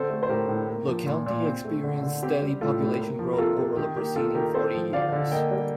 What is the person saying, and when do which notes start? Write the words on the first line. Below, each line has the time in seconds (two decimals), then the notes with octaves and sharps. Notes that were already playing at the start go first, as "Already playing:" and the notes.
The county experienced steady population growth over the preceding forty years.
Already playing: D3 C4 A4 C5
0.10 A3
0.23 C5
0.29 A2 G4 A#4
0.48 A2
0.68 A#3
0.87 F3
1.07 A#2
1.26 A#2
1.45 C4
1.65 A3
1.84 D3
2.03 D3
2.23 C4 G4
2.42 G3
2.61 A2 F4 A4
2.80 A2
3.00 A#3
3.19 F3
3.33 A#4
3.38 C3 F4 A4
3.58 C3
3.77 D#3 G4
3.96 A#3 G4
4.16 A#3 F4 A4
4.35 D#3 G4 A#4
4.54 C4 A4 C5
4.74 F3
4.93 D3 D5 F5
5.12 D3
5.32 A#3 D#5 G5
5.51 G3